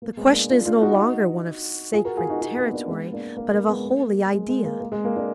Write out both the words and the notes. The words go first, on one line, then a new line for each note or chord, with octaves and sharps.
The question is no longer one of sacred territory,--but of a holy idea.
A#3
G#3 B3
A#3 D4
D4 F4
D4 F4
D#4 F#4
F4 G#4
F#4 A#4
F4 G#4
D#4 F#4
D#4 F#4
B3 D#4
A#3 D4
G#3 B3
A#3 D4
A#3
A#3
G#3 B3
A#3
G#3
G#3
A#3
A#3
G#3
A#3
A#3 D4